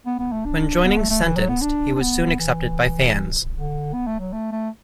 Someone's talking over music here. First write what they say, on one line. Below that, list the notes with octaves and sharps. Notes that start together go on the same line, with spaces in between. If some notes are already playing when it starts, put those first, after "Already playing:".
When joining Sentenced he was soon accepted by fans.
B3
B3
A3
D4
B3
A3
A3
E3
F#3
B3
D4
D4
B3
E3
D3
B3
A3
F#3
A3
A3